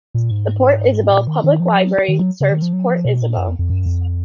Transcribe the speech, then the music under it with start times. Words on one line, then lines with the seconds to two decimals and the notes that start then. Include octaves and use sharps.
The Port Isabel Public Library serves Port Isabel.
0.14 A#2
0.31 G#2
1.12 A#2
1.28 D#3
1.44 D#3
1.60 F3
1.76 F#3
2.08 D#3
2.19 F#3
2.40 C#3
2.51 D#3
2.62 F3
2.73 F#3
2.89 F3
3.05 B2
3.21 A#2
3.38 F#2
3.48 F2
3.59 F2
3.69 F#2
3.86 F2